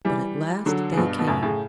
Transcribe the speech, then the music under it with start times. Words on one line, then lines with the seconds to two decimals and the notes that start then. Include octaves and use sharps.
But at last they came.
0.05 E3 G3
0.66 D3 F#3
0.92 C#3
0.97 G2 B2
1.19 B2
1.27 F#2 A2
1.43 A2 C#3